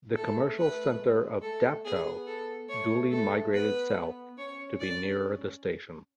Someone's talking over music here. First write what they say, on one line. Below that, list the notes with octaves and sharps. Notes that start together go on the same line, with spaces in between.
The commercial centre of Dapto duly migrated south to be nearer the station.
A3 A4
A3 B4
G#3
A3 A4
B3 G#4
A4
A3 C#5
A3 A4
B3 B4
C#4 C#5
D5